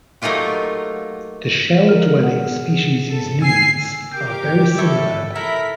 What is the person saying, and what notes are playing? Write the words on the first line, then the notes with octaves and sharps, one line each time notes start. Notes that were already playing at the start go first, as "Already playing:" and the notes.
The shell-dwelling species' needs are very similar.
F#3 A3 A#3 D#4 F4 G4
A#4 F6
G#4 F#5
A4
G#5 E6 G#6 C7
G4 A#4 G5 D6
E4 A4 E5 C#6
E4 A4 A#4 B6